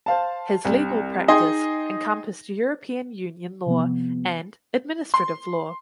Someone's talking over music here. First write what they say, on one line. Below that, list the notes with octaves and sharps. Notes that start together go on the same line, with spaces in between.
His legal practice encompassed European Union law and administrative law.
C5 F5 A5
C2
D#4 G#4 D#5 G5 G#5 C6
C3 F3 B3
C6